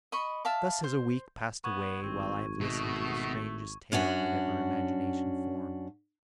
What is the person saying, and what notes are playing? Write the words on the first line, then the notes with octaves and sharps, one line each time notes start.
Thus has a week passed away, while I have listened to the strangest tale that ever imagination formed.
D#5 B5 C#6
E5 F5 A5 D6
C5
B3 C#6 G#6
G#1 C4
B2 A3
F#2 C#4 D4 F#4